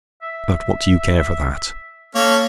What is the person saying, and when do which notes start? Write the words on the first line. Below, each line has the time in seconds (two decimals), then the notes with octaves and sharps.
But what do you care for that?
0.22 E5
2.15 A#3 C#4 A4 C#5